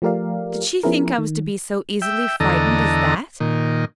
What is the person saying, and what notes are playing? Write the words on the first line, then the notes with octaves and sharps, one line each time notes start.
Did she think I was to be so easily frightened as that?
F3 A3 G4 A#4 D5 F5
F3 B3 C#4 E4 G#4 A#4
D#3
E5 G5
E2 D3 A4 D#5 A#5
A#2 D#3